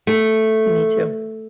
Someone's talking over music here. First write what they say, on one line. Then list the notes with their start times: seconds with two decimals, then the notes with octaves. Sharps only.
Me too.
0.07 A3